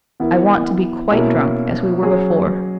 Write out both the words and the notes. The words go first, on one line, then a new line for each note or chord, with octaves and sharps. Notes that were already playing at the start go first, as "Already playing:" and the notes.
I want to be quite drunk, as we were before.
E3 B3 E4 A#4
B2 A#3 C#4 E4 A#4
F#3 C#4 G#4